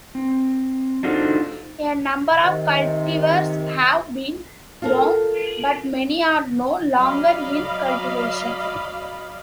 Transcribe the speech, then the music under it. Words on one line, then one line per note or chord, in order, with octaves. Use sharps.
A number of cultivars have been grown but many are no longer in cultivation.
C4
D4 D#4 F4 F#4 A4 C5
C3 D#3
F4 A4 A#4
F#3 D5 D#5 F5 B5